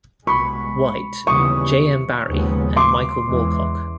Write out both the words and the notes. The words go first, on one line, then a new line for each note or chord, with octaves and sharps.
White, J. M. Barrie, and Michael Moorcock.
C2 B2 G#3 B3 B5 C#6
D#2 C#3 E3 G3 B3 C#6 D#6
D#2 C#3 F3 G#3 B3
C6 D6
E2 C#3 E3 G#3